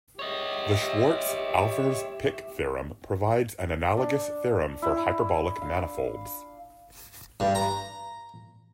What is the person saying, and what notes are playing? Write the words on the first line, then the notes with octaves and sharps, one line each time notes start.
The Schwarz-Ahlfors-Pick theorem provides an analogous theorem for hyperbolic manifolds.
G4 C#5 D#5 E5
D4
E4
F5
G2
A#5